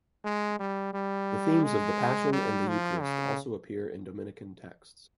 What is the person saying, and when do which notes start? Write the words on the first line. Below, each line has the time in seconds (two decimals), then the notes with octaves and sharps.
The themes of the Passion and the Eucharist also appear in Dominican texts.
0.25 G#3
0.60 G3
0.94 G3
1.64 G#3
2.33 G3
2.68 F3
3.01 C#3